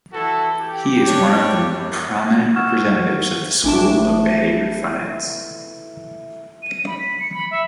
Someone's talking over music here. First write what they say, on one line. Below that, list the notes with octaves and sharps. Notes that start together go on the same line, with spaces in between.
He is one of the prominent representatives of the school of behavioral finance.
E3 E4 F#4 A4
G4
D4 C#5
F#2
F#5 C#6 E6 F6 G#6 E7
G#1 E3 A3 D4 E7
D#7
B5
B6
C#7
B5
E5